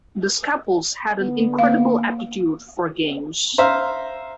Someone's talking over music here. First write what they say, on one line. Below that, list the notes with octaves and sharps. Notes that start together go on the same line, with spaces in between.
Deschapelles had an incredible aptitude for games.
D3 B3
A#3 F5
C5 E5 F5 A#5